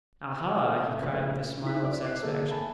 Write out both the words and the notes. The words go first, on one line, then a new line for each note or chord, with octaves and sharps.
"Aha!" he cried with a smile of satisfaction.
A3
A#1 C#3 B4
C#3 D#4 E4 F#4 B6
D5 D6
D6 F#6 C7
D3 A#3 G#4 A4
E5 G#5 A5 B5